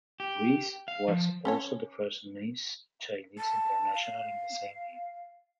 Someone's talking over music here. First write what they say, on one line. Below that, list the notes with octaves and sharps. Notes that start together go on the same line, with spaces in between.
Reis was also the first Miss Chinese International in the same year.
G4
F5
F3
C#4 A4 C#5
A5
F5